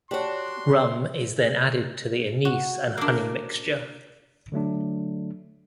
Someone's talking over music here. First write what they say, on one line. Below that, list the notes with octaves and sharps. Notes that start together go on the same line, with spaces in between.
Rum is then added to the anise and honey mixture.
D4 F#4 G4 C#5 C6
F#4
A#3 D4
D3 F#3 A3 D4